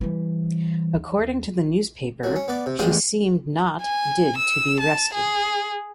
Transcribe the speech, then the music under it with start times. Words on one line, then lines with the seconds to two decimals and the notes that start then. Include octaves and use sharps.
According to the newspaper she seemed not did to be rested.
0.01 E3 G3
0.94 D#2
2.23 C2 F#3
2.36 C#4
2.48 B3 D5
2.66 C3
2.79 A1 E2 G#3 F4 G4 G#5
3.82 G#5
4.38 E6
4.80 A5
5.14 G#4